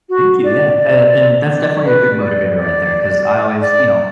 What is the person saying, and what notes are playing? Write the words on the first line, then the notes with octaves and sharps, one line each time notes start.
Thank you, yeah, and and that's definitely a good motivator right there 'cause I always, you know
F#4
D5
D5
D5
B4
D5
D5
D5